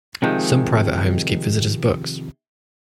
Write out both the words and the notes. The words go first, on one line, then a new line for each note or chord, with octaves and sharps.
Some private homes keep visitors' books.
C3 D#3 F3 G#3